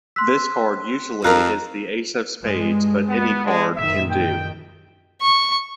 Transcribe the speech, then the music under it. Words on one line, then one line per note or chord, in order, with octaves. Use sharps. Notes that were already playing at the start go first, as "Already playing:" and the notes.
This card usually is the Ace of Spades, but any card can do.
C6 E6 F#6 B6
F2 A#4 F5 A#5 F6 F#6
G2 G#3
B3
G#3 D4
F#1 A#2 D#3 E5
G5
C#6